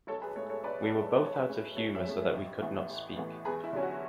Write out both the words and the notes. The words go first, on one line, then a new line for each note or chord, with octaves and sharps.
We were both out of humour so that we could not speak.
B1 A4 C#5
G#4 B4
A2 G#3 A4 C#5
A4 C#5
B1 B4 D5
A4 C#5
A2 G#3
B4
C#5
B1 B4
C#5
G#4 B4
A2 G#3 C#4
B1 A4 C#5
C#5 E5
A2 G#3 C#4
A1
A2 E3 B3
A1
A2 E3 B3
E2 G#4 B4
E4
D3 F#3 C#4
F#4